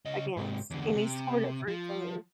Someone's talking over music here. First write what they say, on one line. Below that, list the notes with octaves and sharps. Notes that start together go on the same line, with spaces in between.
against any sort of routine
C#3 D#5
G#2 C3
E2 D3
C3
F3